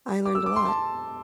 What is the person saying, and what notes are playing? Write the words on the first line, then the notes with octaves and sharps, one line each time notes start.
I learned a lot.
D6
E6
D6
C6
A5